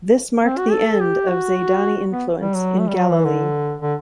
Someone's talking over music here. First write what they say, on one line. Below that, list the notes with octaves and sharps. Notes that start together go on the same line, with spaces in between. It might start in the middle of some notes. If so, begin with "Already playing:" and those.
This marked the end of Zaydani influence in Galilee.
C4
F#4
A4
G4
F#4
B3
G3
F#3
A3
G3
F#3
E3
D3
D3